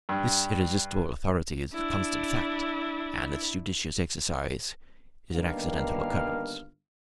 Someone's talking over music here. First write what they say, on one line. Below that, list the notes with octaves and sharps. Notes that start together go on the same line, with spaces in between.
This irresistible authority is a constant fact, and its judicious exercise is an accidental occurrence.
G2
D4 E4
G1 D#3 A#3 D4 B4 F5